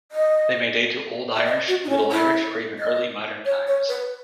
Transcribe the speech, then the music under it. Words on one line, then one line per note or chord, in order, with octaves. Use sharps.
They may date to Old Irish, Middle Irish or even early modern times.
D#5
E5
D#5
F#4
D#4
C#4
E4
D#5
C#5
C#5
B4